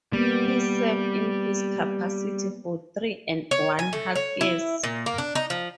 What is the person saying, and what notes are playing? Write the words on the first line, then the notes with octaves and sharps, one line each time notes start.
He served in this capacity for three and one half years.
G3 A#3 B3
C#5
G#5
A3
C#5
E4
A#2
A#3
D4
D#4
F3